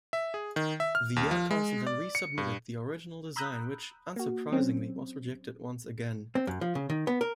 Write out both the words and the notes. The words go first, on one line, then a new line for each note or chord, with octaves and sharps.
The Air Council then re-submitted the original design which, unsurprisingly, was rejected once again.
E5
G#4
D#3
E5
F6
D#2
F3
G#3
D5
C#7
G2
A#5 B5 D#6 E6 F#6 G6
A#3 F#4
F#3 C4 C#4
C4
F#2
F3
C#3
D#3
B3
A#4